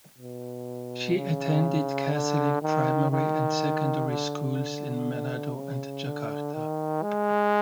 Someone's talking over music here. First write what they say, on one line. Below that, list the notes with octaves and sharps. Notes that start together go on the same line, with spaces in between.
She attended catholic primary and secondary schools in Manado and Jakarta.
B2
C#3
D3
D#3
D#3
D3
C#3
D3
D#3
G#3